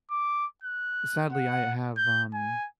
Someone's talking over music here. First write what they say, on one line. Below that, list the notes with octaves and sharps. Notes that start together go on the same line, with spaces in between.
sadly, I have, um
D6
F#6
F#5
G6
G#5